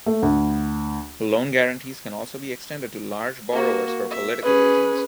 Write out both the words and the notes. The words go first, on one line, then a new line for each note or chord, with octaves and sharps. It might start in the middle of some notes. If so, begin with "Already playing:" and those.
Loan guarantees can also be extended to large borrowers for political reasons.
A3
D2
A#3 F#4
E5
C#4 G#4 B4